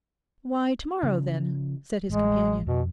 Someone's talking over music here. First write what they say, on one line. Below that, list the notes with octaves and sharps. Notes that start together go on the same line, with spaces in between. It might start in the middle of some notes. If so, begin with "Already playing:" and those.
'Why, to-morrow, then,' said his companion.
C#3 F3
A1 G#3
F2 B2